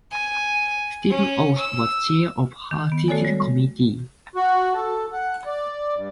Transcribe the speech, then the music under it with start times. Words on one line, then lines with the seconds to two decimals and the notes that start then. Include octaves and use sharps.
Steven Aust was chair of her thesis committee.
0.11 G#5
1.10 C#4
1.58 E6
2.71 D#3
2.92 B3
3.08 A3 F#4 A4 C#5 D5 G#5
3.25 G3 G#3
4.35 F#4
4.74 A4
5.13 F#5
5.46 D5
5.96 G2